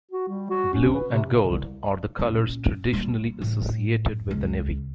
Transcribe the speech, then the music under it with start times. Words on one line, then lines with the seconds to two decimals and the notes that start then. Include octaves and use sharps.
Blue and gold are the colors traditionally associated with the Navy.
0.11 F#4
0.28 G3
0.50 F#4
0.73 C#4
0.94 B4
1.13 C3
1.27 C#3
1.48 C2
2.19 A#2 C#4
2.93 G3 A#3
3.42 A2
4.31 C#2